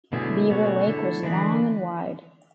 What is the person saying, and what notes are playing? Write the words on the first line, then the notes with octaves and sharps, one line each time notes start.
Beaver Lake was long and wide.
B2 D3 F#3 A3 E4 G#4
B2 A3 C#4 F#4 C#5
D3 A3 E4 A4
D3 E3 G#3 D4 G#4 B4